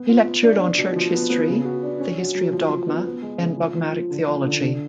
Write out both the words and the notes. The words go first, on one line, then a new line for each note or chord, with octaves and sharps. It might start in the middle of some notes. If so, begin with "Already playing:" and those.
He lectured on church history, the history of dogma, and dogmatic theology.
Already playing: B3
F4
B3
D4
D4
B2
F3
B3
B3
C#3
F#4
D4
C#4
F#4
F#3
F3
F3
B3
B3
G#3
C#3
F3
F3
F3
D3
F3
D3
D3